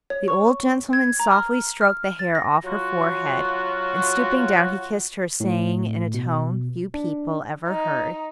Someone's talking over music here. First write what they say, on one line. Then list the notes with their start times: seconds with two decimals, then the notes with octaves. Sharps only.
The old gentleman softly stroked the hair off her forehead, and, stooping down, he kissed her, saying, in a tone few people ever heard...
0.10 C#5
0.28 C#6
0.93 G#6
1.20 A#5
1.31 F6
1.81 F6
2.19 A6
2.35 A#6
2.65 F#3 F4 F#4
5.40 A2
6.14 B2
6.94 D4
7.68 D#4